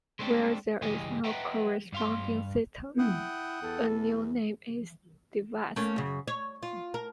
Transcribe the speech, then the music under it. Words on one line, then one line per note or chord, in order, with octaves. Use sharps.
Where there is no corresponding system, a new name is devised.
G#3 A3 C4 D4 G4 A4
C#2 G2 E3 G4 G#4 D#5
B4 D#5 E5 F#5 G5 A#5
G2 F5 C6
E4 F#5 G5 D#6
E2 A4
A3 A#3 C#4
F#2 C#3
C#5
F4
A#4